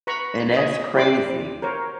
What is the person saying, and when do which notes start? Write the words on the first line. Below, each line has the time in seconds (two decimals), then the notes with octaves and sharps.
And that's crazy.
0.07 B4 A#5 B5 C#6
0.56 D#5 G#5
0.94 E4 G4 D5 B5 C6 D6
1.62 A#4 C5 C#5